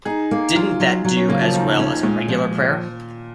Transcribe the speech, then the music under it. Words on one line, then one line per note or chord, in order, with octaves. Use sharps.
Didn't that do as well as a regular prayer?
D#4 G#4
A#3
F#3 F4
F#3
F#3
C#4
C#3 A#3
F3
D#2 D#3
C#4
A#2 G#3
F3